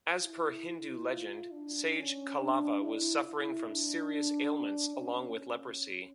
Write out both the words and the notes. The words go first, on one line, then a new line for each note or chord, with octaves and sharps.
As per Hindu legend, Sage Kalava was suffering from serious ailments along with leprosy.
E4
F4
D4
C#4
D4
E4
E4
D4
C#4